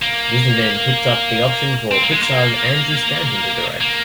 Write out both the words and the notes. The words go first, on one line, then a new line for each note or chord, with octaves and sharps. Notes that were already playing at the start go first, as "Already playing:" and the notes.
Disney then picked up the option for Pixar's Andrew Stanton to direct.
A#3
C4
A#3
G#3
A#3
A#3